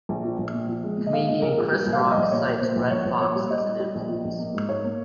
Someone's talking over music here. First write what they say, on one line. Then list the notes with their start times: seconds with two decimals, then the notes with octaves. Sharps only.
Comedian Chris Rock cites Redd Foxx as an influence.
0.09 A#1
0.24 F3
0.38 A#1
0.53 A#2
0.68 F3
0.83 G#3
0.97 A#2
1.07 D#5
1.12 G#3 F5
1.28 A#2 D#5
1.42 A#1 A#4
1.57 F3 G#4
1.72 G3 G4
1.87 A#1
1.92 F5
2.01 G3
2.11 D#5
2.17 A#1
2.31 A#2 C#5
2.46 G3
2.61 A#2 C5
2.76 A#1
2.91 A#1 C#5
3.06 A#1
3.20 A#2 C#5
3.36 G3
3.50 G3 D#5
3.65 G3
3.80 G3
3.95 A#1
4.09 F3
4.25 A#1
4.39 A#3
4.54 G#2
4.68 G#2 C#5
4.84 A#3